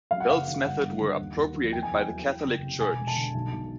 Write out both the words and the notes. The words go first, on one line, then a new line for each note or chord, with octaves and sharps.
Bell's methods were appropriated by the Catholic church.
F#3 F5
F#5
F#1 F5
D#3
G1 F#5
G1
D3
D#2
D#2
F3
E2 G5
G#5
E2 G5
F#3
E3
F#1
C3
E1 G#5
E1
A5
D3
B1
B1